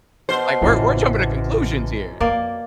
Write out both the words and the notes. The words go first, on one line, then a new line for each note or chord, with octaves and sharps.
Like, we're we're jumping to conclusions here.
B2 C5
A1 F#2 C#3 E3 F3
F2 A#3 D5